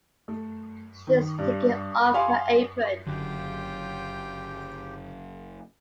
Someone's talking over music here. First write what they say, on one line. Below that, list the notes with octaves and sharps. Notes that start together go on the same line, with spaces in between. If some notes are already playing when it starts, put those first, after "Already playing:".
She’s taking off her apron.
A3
D#3
G2
F5 G#5 B5 C6
F#1 F#2 D3 F4 G4 G5